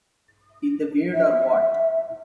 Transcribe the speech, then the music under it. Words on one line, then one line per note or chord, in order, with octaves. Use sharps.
In the Weird or What?
E5